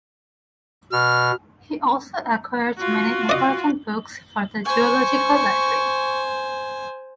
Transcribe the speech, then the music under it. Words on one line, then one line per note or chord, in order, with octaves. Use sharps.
He also acquired many important books for the zoological library.
B2 F6
F4 F#4
D5 D#5
C5 G#5 C#6